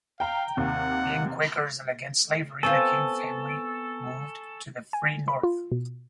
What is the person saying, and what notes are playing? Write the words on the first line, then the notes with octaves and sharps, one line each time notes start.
Being Quakers and against slavery, the King family moved to the free North.
F5 G5 A#5
D#2 C3 F#5
B3 C4 F4 A4 G#5 C#6 A6
G#5
B5
F4
B2